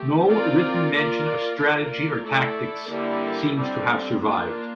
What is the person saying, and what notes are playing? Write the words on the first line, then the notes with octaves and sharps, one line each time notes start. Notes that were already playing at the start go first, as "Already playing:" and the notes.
No written mention of strategy or tactics seems to have survived.
Already playing: A3 C4 G4
C4 F4 A#4 D5
A#3 F4 A#4 D5
A#3 F4 A#4 D5
A3 E4 A4 D5
D3 G3 A#3 E4
D3 G3 C4
A#3 D4 F4